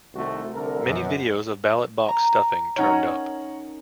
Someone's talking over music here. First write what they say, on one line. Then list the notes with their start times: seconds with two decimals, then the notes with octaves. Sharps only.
Many videos of ballot box stuffing turned up.
0.15 C2 C3 D#3 A3 E4 F#4
0.53 C2 D3 A4 A#4
0.84 F#2 B2
2.08 A#5
2.76 C#4 D#4 A#4 C#5 F#5 A#5